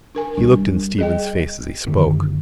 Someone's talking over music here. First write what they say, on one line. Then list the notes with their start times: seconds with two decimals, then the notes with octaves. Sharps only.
He looked in Stephen's face as he spoke.
0.15 D4 A#4 G#5
0.37 C2 G3 D4
0.98 G#4 D#5 G5
1.86 F#2 D3 D#3